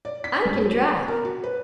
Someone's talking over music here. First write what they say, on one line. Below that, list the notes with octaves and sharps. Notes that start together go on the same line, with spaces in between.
I can drive.
D5
B6
G2
F#3
B3
A#4
F#4
B4